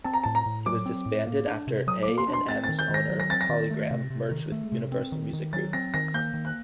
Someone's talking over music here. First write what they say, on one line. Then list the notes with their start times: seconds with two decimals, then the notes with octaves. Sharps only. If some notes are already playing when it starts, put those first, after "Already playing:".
It was disbanded after A and M's owner PolyGram merged with Universal Music Group.
0.04 C4 A5
0.14 A#5
0.24 A2 A5
0.35 A#5
0.46 A2
0.66 F#3 D6
0.86 C4
1.06 A2
1.27 A#3
1.47 D4
1.67 C3
1.87 F#3 D#6
2.03 D6
2.08 A#3
2.18 C6
2.29 D4 C6
2.48 C4 A6
2.64 A6
2.69 D#3
2.79 G6
2.89 D#3 A#6
3.09 F#3
3.20 A#6
3.29 C4 A6
3.41 A#6
3.49 D#3
3.70 A3
3.91 C3
4.10 C3
4.31 D#3
4.52 A3
4.72 C3
4.92 C4
5.12 D#3
5.33 D#3
5.53 F#3 A6
5.73 C4 A#6
5.94 D#3 A#6
6.14 A#3 G6
6.34 D#3
6.45 F#6